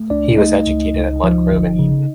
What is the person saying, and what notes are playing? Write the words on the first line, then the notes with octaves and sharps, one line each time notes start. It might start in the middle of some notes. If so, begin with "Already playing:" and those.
He was educated at Ludgrove and Eton.
Already playing: A3
C#2 D4 D5
A3 D#4 D#5
C#2
C#2
F3
G1
C#3